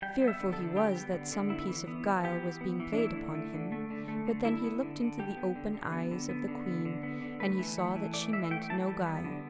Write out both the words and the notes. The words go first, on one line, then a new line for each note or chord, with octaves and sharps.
Fearful he was that some piece of guile was being played upon him, but then he looked into the open eyes of the queen and he saw that she meant no guile.
G3 G5
B3
E5
D3
A4
D3
G3 G4
B3
D3
D3
B3 E4
E3
B3
E3
B3 G4
E3
B3
E3
D4
A3 E4
D3
A3
D3
A3
D3
A3
D3
G3 E4
B3
D3
D3
G3 G4
B3
D3
D3
B3
D3
B3
D3
B3
D3
B3
D3
A3 B4
E3
A3
E3
A3 D5
E3 E5
A3 G5
E3 A5
G3
B3
D3